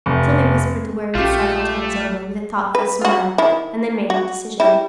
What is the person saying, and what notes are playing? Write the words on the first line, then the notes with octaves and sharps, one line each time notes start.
Sylvie whispered the words, several times over, with a thoughtful smile, and then made her decision.
F1
A#1 A3 C#4 F4 G4
B4
F4 F#4
D#3 E4
F#4
G3 E4